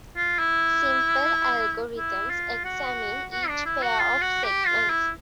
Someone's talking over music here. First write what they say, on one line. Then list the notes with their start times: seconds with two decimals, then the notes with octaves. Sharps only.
Simple algorithms examine each pair of segments.
0.16 F4
0.39 E4
1.96 E4
2.30 F4
2.64 F#4
3.31 F#4
3.48 D4
3.65 E4
3.82 F#4
3.99 F4
4.21 F#4
4.44 G4
4.66 F4
4.89 E4